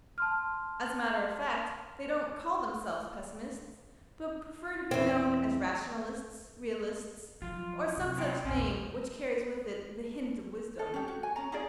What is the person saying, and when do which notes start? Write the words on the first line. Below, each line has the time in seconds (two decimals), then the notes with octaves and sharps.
As a matter of fact, they don't call themselves pessimists, but prefer to be known as rationalists, realists, or some such name which carries with it the hint of wisdom.
0.18 A5 C6 F6
4.91 E2 C4
7.42 F3 F#3 F4
7.97 C3 F#3
8.17 B3 C#4 G5
8.44 A#1 E2 C4 G#5
10.79 A4
10.94 C#4 G4
11.08 F#4
11.23 G#5
11.36 C#4 C#5 A#5
11.52 D#4 F4 G#4 D5